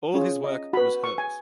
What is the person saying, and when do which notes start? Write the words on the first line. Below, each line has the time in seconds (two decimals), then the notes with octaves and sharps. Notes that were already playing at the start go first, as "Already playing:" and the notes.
All his work was hers.
0.14 C#4 F4 G#4 C#5
0.44 D#5
0.73 F#4 B4 B5
1.04 C#6
1.18 G#5